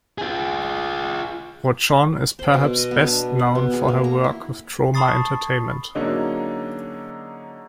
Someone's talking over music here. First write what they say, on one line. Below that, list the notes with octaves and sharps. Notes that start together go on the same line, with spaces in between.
Rochon is perhaps best known for her work with Troma Entertainment.
F4 G#4
C5
B2
D#5
B3
D4
F#5
B3
G#4
A#3
A#5
E4
A5 B5 C#6 D#6 A6 C7
D3 F#3 G#3 A#3 C#4 D#4